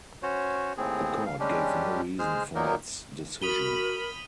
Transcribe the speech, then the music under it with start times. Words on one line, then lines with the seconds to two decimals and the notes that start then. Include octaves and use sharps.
The court gave no reason for its decision.
0.23 C#4 F#4 C5 C#5
0.77 D#2 A2 C4 G#4
1.26 F5
1.40 G3 G#3 C#4 D4 G4
2.19 G#3 G#4 C5 F6
2.55 A#2 F#3 A#3 B3 D#4 A#4
3.42 F#4 A#4 B5 D#6 D#7 G7